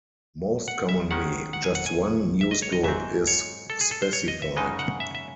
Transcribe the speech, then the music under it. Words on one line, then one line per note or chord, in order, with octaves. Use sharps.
Most commonly, just one newsgroup is specified.
F#5
E5
D#3 G#3 C#4 F#5
F#5
G#5
F#5
G#5
E5
D#5
C#5
D#5
G#2 F#3 C4 E5
C#5
A4
G#4
A4
C5
C#5
D#5
E5
F#2 C#3 G#3 D#4 D#5
F#5
E5
E5